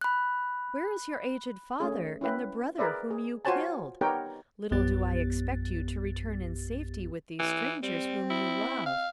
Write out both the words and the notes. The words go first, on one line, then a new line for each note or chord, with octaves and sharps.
Where is your aged father, and the brother whom you killed? Little do I expect you to return in safety with these strangers whom you love.
B5 F#6
A3 C#4 G#4
C#4 E4 B4 G5
G#4 A#4 B4 D5 E5
G#4
F4 F#4 C5 C#5 G#5 A5
B3 D#4 G4 A#4 C#5 G5
A#1 F#2 B3 G4 A6
E3
G3 C4
E4
F5